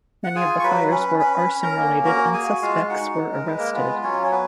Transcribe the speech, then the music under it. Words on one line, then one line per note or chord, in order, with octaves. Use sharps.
Many of the fires were arson-related and suspects were arrested.
F#5
F4 G#4 G#5
C#6
F#3 B4 B5
C#4 B4 B5
C#4 B4 B5
C#4
A#4 A#5
A#3
F#4 A#4 A#5
F#4 G#4 G#5
G#3 F4 F5
D#4 F#4 F#5
G#3
A#4
G#3 B4
A#3 A#4
B3 F4 B4
F#3 C#4 C#5
C#5
B3 B4